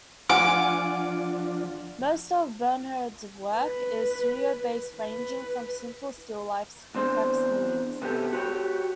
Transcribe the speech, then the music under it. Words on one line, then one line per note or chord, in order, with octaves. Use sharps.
Most of Bernhard's work is studio-based, ranging from simple still lifes to complex nudes.
F3 D4 F4 F#5 G#5 D6
B4
B4
E2 C4 D4 C5 C6
C3 B3 G4 A4
F#4 G4 B4 C#5 G5